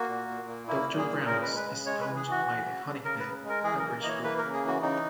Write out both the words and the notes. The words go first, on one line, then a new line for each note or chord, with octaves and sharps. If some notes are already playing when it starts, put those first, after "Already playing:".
Doctor Brown's is owned by the Honickman Beverage Group.
Already playing: A#3 F#4
A#2
A#2
A#3
A#3 E4
A#2
G#4
A#2
C#3 A#4
G#3 B4
B4
C#3
G#3 C#5
E3 B4
G#4
E3 F#4
E3
C#3
C#3
C#3 A#4
B4
C#3
G#3 A#4
E3 G#4
A#3 A#4
E3 D#5
C#5
A#3 B4
C#3 A#4
G#4
E3 F#4
C#3 D#4